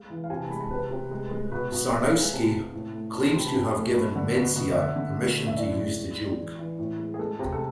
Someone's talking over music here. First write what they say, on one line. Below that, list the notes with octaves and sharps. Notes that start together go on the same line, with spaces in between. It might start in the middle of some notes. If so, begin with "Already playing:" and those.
Sarnowski claims to have given Mencia permission to use the joke.
Already playing: G#3 F5
E3
F5
C3 G#5
A5
G#3 B5
A5
C3 B4
C3
G#3
G#3
B2 B4
B2
G#3 E5
F5
G#3
G#5
C3 A5
C3
A2
A3
C3 A5
C6
C3
B5
A5
C3 G#5
A3
A3 B5
D3
B2
B2
D5
D3 E5
D3
A3
A3
E5
A2 D5
G#3
G#3
G#3
E3
E3
A2
G#3
G#4
G#3 A4
C3
A4